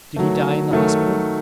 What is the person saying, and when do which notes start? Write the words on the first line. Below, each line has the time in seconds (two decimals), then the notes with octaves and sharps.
'Did he die in the hospital?'
0.16 D#3 F#3 A3
0.71 D#3 F#3 A3